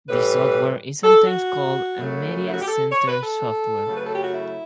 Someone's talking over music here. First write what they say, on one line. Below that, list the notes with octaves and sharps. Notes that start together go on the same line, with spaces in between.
The software is sometimes called "Media Center Software".
A2 E3 G3 B4
A4
F#4
F#2 C#3 F#3 A3
E4
F#4
G4
A4
C#5
B4
A4
F#2 C#3 F#3 A3
B4
A4
G4
F#4
E4